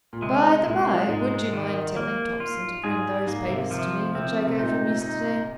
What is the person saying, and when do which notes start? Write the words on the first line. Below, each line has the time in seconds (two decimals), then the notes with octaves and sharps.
By-the-by, would you mind telling Thompson to bring those papers to me which I gave him yesterday?
0.13 A#2
0.22 C3 G#3
0.66 A#2 G#3
1.09 G#2 G#3
1.53 D#3
1.96 A#3
2.40 F4
2.84 G#2 G#4
3.27 G#2 A#3
3.49 C3
3.71 C3 F3
4.14 C3 C4
4.47 C3
4.58 A#2 D#4
5.02 D#4